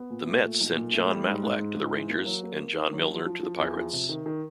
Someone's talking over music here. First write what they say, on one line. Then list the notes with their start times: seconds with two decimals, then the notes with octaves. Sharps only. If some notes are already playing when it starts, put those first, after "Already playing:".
The Mets sent Jon Matlack to the Rangers and John Milner to the Pirates.
Already playing: B3
0.10 A#2
0.27 A3
0.43 A#2
0.61 B1
0.77 A#2
0.93 A3
1.10 G3
1.27 G#2
1.44 G#2
1.60 G#2
1.76 G#2
1.93 E3
2.09 A#3
2.26 F#3
2.43 A#3
2.59 A#3
2.76 D#3
2.93 F#3
3.10 F3
3.26 F3
3.43 F3
3.60 E2
3.76 F3
3.93 C3
4.09 D#3
4.26 D#3